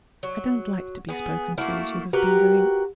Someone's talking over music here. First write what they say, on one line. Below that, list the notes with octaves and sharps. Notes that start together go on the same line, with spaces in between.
I don't like to be spoken to as you have been doing.
F#3
B3 G#4
A3 A#3 E4 F#4
F#4 G4 A#4 B4